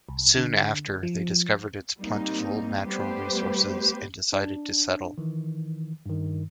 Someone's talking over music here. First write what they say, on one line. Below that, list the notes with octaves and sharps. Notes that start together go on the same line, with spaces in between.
Soon after, they discovered its plentiful natural resources and decided to settle.
C2
D3
F3
G3 A#3 C4 D#4
G3 A3 B3 G4 B4 C5
D4
D#3 E3
G2 D#3